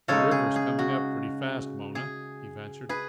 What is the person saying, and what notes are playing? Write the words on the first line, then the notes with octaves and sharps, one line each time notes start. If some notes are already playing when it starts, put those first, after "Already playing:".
"The river's coming up pretty fast, Mona," he ventured.
C#3 G#3 D#4 A4 C#5
G#4
G#4
F#4
G#4
G#4 B4